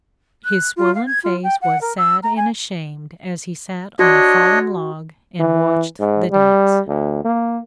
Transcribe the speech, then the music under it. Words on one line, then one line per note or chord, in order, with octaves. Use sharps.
His swollen face was sad and ashamed as he sat on a fallen log and watched the dance.
F#6
F4
F5
G#6
F4
G5
F#5
A#4
E6
A#5
G#5
D4 F#4 C#5 D#5
E3
G#2
G3
D2
A#3